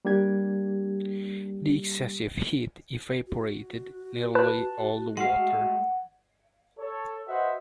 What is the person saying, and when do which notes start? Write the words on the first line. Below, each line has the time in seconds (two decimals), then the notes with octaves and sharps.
The excessive heat evaporated nearly all the water.
0.05 G3 A#3 D4 G4 G#6
3.27 F#4
4.35 B4 A5 F#6
5.17 G#3 A3 F5 F#5
6.80 A4 C#5
7.28 F#4 B4 C5 D#5 E5 F#5